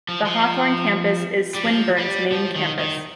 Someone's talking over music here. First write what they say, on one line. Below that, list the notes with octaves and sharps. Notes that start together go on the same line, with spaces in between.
The Hawthorn campus is Swinburne's main campus.
F3
F3
G3
F3
G3
F3
D#3
D#3